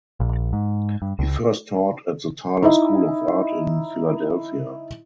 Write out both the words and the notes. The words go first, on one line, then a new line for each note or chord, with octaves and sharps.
He first taught at the Tyler School of Art in Philadelphia.
A#1
G#2
G2
C#2
D#4 E4 D#5